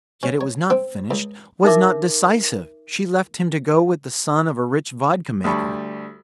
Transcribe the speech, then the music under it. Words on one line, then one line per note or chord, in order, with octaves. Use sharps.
Yet it was not finished, was not decisive. She left him to go with the son of a rich vodka-maker.
C#4
C#5
C4
C#2
D#4 A#4 E5 D6
D2 G3 A5 B5 C#6